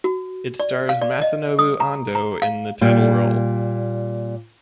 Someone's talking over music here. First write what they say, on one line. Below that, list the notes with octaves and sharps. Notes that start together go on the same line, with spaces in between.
It stars Masanobu Ando in the title role.
F#4
D5
F5
D5
D#5
D#6
A#5
A#5
F5
A#2 G3